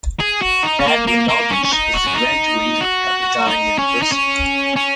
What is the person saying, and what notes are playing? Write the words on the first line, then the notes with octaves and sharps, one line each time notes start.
Radmanovich is a graduate of Pepperdine University.
G#4
F#4
D#4
C#4
A#3
A#3
A#3
C#4
C#4
D#4
F#4
C#4
D#4
F#4
D#4
C#4
D#4
C#4
C#4